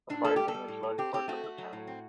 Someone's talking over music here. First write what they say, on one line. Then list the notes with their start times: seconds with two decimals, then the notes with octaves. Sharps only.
A fire damaged large parts of the town.
0.09 A2 D4
0.24 A3 A4
0.36 G3 G4
0.48 A4
0.54 G3
0.68 A2
0.83 A2
0.98 C4 G4
1.13 C4 G4
1.28 A3 F#4
1.44 A3
1.58 F#3
1.73 A2
1.87 C4